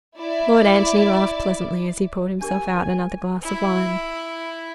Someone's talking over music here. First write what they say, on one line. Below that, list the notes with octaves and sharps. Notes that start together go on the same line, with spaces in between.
Lord Antony laughed pleasantly as he poured himself out another glass of wine.
E4 D5
D4 G4 A#4 G#5
E4